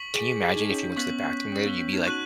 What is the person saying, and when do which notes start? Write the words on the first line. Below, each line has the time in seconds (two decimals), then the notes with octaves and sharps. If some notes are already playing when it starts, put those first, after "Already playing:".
can you imagine if you went to the bathroom there, you'd be, like,
Already playing: C#6 B6 D#7 F#7
0.14 G#4
0.42 G#4
0.56 D#4
0.69 C#4
0.83 C#4
0.96 B3 C#6 F#6 B6 F#7
1.24 C#4
1.52 C#4
1.66 B3
1.80 C#4
1.93 D#4
2.07 F#4 C#6 F#6 D#7 F#7